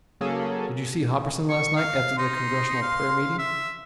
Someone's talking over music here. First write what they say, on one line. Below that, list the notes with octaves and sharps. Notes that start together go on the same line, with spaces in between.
"Did you see Hopperson last night after the congressional prayer meeting?"
C#3 F#3 A#3 C#4 G#4 A4
C#6
F5
D#4 C6
F5
E5